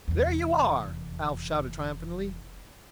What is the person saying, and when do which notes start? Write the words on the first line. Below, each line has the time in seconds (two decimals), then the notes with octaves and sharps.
"There you are!" Alf shouted triumphantly.
0.08 F1 E2